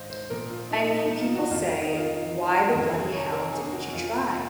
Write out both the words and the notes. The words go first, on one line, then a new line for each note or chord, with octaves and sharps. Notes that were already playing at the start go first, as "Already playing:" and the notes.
I mean people say, why the bloody hell didn't you try?
Already playing: G#2 D#3 C5 D#5 F5
C5
A#2 F3 A#4
F4
D#4
D#4
D#4
F4
F#4
F2 D#3 F4
D#4
F4
F2 C3 D#3 A#4
G#4
C#5
A#4
G#4
F#4
F2 C3 F3 F4
F4
F4